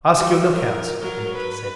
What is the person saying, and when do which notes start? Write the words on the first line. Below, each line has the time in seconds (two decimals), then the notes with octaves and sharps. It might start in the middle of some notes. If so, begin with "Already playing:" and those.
"Ask your lookouts," Anita said.
0.16 G3 F#4
0.56 A#4
1.00 F#3 A#4
1.36 B4